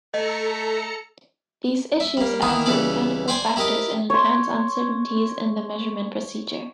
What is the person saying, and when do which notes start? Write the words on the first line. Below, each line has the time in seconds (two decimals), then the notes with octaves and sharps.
These issues add to mechanical factors and enhance uncertainties in the measurement procedure.
0.14 A3 A4 D#5 A#5 C#7
2.00 E5
2.17 G3 A#3
2.42 D#3 E3 A#3 B3 D#4
2.66 C#2 E3 G3 A4 D5
3.28 C5 D5 G5 G#5 C6
3.56 E4 G4 A#4 D#5 A5
4.10 C#5 C6